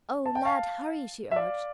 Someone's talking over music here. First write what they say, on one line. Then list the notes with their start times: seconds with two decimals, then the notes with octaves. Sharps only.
"Oh, Lad, hurry!" she urged.
0.26 A5
0.35 G5
0.45 F5 A5
1.31 E5
1.36 D5 F5